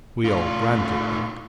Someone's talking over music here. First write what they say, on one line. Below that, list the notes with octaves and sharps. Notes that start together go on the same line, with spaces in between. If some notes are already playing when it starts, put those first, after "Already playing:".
We all granted that.
A2 F4